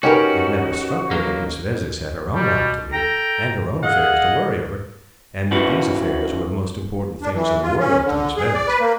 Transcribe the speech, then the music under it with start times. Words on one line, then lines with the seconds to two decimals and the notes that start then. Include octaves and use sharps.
It never struck her that Miss Vezzis had her own life to lead and her own affairs to worry over, and that these affairs were the most important things in the world to Miss Vezzis.
0.03 C#4 D#4 F#4 G4 A#4 B4
1.11 F#3 A#3
2.35 B2 G3
2.92 A4 G5 A#5
3.83 G#4 D#5 F5 F#5
5.51 C#3 E3 C#4 E4 F#4 B4
7.22 D4
7.34 E3
7.63 F4
7.79 C#4
8.05 D3
8.37 G#4
8.54 D5
8.68 B4
8.80 A#3